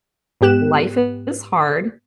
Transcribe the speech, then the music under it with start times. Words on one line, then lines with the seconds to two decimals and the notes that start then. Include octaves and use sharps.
life is hard,
0.41 G#2 B3 G4 F#6 E7